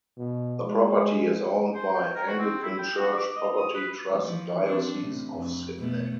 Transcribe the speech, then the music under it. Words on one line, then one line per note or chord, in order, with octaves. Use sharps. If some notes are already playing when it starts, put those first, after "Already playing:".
The property is owned by Anglican Church Property Trust Diocese of Sydney.
B2
G#3
C5
G5
A#4
F#4
C4
E4
G5
F#4
D6
D#5
D#6
B4
E3 F3
F3 C4 D4
A2 C3
F2
B2 A3